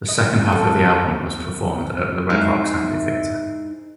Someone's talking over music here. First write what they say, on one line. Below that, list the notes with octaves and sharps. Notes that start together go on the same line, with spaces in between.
The second half of the album was performed at the Red Rocks Amphitheatre.
D#5
A4
G#3 D#4 E4 C5 E5